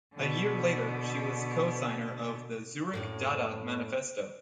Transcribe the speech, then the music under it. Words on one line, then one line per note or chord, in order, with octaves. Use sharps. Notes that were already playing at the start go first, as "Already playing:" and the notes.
A year later, she was a co-signer of the Zurich Dada Manifesto.
B2 D3
F#2 A2 A#3